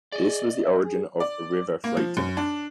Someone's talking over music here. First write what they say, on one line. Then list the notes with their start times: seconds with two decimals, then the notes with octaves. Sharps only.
This was the origin of river freighting.
0.12 G#4 D5 D#5
0.64 E5
0.84 G#4
1.20 D5
1.84 A#3
1.97 F3
2.17 F#2
2.37 D4